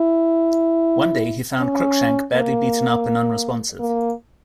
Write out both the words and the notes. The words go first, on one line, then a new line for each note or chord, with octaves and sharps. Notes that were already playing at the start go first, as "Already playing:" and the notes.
One day he found Crookshank badly beaten up and unresponsive.
Already playing: E4
C#4
A#3
A#3